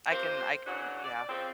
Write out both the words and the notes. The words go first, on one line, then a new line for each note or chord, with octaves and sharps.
I can I can Yeah.
F2 C3 A#3 C5
C#3 E3 F#3 D4 F#4
D5
F2 C#3 C4